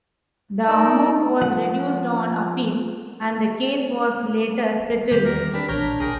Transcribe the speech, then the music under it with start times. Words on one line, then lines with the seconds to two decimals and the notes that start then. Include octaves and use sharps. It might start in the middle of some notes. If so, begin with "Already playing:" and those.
The amount was reduced on appeal and the case was later settled.
0.67 D#4 A#4 D5 E6
1.41 F3 F#5
5.11 D#3 G3 G#3 G4
5.25 E2 A#4
5.54 C4 D4 G4 B5
5.69 A#1 E3 D4 A#4 C#5 A#5 G6
5.88 A#2
6.00 A#1 G#4 A#4 G5